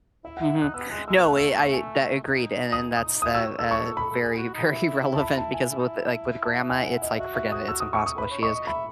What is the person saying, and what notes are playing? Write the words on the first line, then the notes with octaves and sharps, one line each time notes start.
Mhm. No, we I, that I agreed, and and that's the uh, very, very relevant because with like with grandma, it's like forget it, it's impossible. She is
E4 E5
E4 F#5
D#4 F#6
B3 E6
G#3 F#6
G#3 E6
B3
A3 F#6
E6
E6
G#5
D#4
D#6
D#6
D#4
E4 D#6
F#4 E6
C#5
A4 E6
C#6
B5
A4
G#4
F#4
D#4
F#4
E4
A5
B5
A5
G#5
E4
D#4
E4
A5
G#5
F#5
D#5
F#4 E5
E5
D#6
E6
D#6
C#6
D#6
B4 B5
C#5
D#5 C#6
D#5
E5 B5